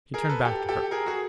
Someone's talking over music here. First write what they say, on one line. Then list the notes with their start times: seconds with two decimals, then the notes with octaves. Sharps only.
He turned back to her.
0.14 G#4 A#4
0.29 A4 B4
0.45 G4 A4
0.69 G4 A4
0.91 G#4 A#4
1.06 F#4 G#4